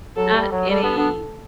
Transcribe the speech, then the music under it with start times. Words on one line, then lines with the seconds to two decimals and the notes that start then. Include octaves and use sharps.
not any,
0.16 F#3 A4
0.34 G3
0.52 F#3
0.69 G3 A4
0.83 B3 D4
0.97 B3 D4